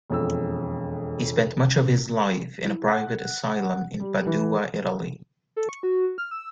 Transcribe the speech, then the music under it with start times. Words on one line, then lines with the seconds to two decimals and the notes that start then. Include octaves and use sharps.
He spent much of his life in a private asylum in Padua, Italy.
0.10 E1 F2 E6
2.65 E4
2.88 F#5
4.00 G3
4.27 E3
5.56 A4
5.69 C#6
5.83 F#4
6.18 F6
6.31 E6